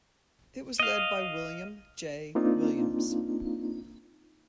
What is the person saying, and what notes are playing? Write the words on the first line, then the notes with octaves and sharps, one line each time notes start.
It was led by William J. Williams.
D#5 F5
A#3 C4 D4 D#4 F4